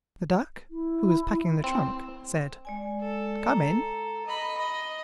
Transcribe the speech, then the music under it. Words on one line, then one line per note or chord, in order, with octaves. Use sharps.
The duck, who was packing the trunk, said, "Come in!"
E4
C4
G#3 D5 G#5
A4
A#5
D#5 B5
D#5